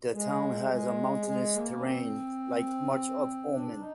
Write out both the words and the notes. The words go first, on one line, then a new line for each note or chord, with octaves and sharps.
The town has a mountainous terrain, like much of Oman.
G#3
G#3
G#3
A#3
C#4
C4
D4
D4
D#4